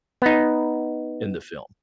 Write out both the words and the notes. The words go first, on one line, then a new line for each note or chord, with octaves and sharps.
in the film.
B3 D#4